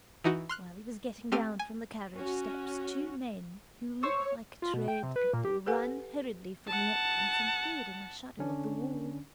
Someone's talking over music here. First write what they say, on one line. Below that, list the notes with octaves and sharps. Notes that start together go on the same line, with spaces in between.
While he was getting down from the carriage steps two men, who looked like tradespeople, ran hurriedly from the entrance and hid in the shadow of the wall.
E3 D#4 F#4
C6 F6 F#6
A3 C4 G4 F6 D#7
G#5
C#4 F#4
C5 C#5 C#6 E6
F4
B2
G5
C3
B4
A#2
G4
G4 A4 B4 F#5 G#5
F#5 A5
D3 C#4 D4